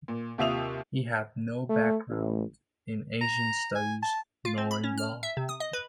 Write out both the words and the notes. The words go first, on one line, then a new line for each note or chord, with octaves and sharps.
He had no background in Asian studies nor in law.
A#2
D#2 C3 F4 E5 D#6 F7
A3
A1
A#5
G#5
A5
F4
C4
B5
C#4
F6
E5
C3
D#6
D#5
B4